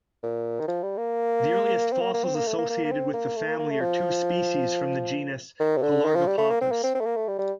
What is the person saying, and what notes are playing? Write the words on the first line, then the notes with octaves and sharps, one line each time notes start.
The earliest fossils associated with the family are two species from the genus "Pelargopappus".
A#2
D#3
F3
G3
A#3
C4
A#3
A#3
C4
A#3
A3
A#3
A#3
A#3
C4
A#3
A3
A#3
A#3
A3
F3
D#3
C3
D3
D#3
F3
G3
A3
A#3
C4
A#3
C4
C4
A3
A#3
A3
G3
G3